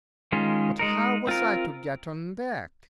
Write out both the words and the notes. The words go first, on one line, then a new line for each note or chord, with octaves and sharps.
But how was I to get on deck?
D#3 G#3 C#4 F4
G#3 D#4 A#4
C4 F4 A#4